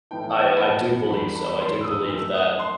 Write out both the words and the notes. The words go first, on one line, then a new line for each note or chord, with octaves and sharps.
I I do believe so. I do believe that,
A2 E3 B3 D#4 G5
G5
F#5
F#5
B5
A5
E2 D#3 G3 D#4 B5
B5
B5
C6
E6
D#6
F#2 D#3 A3 D#4 E6
D#6
C6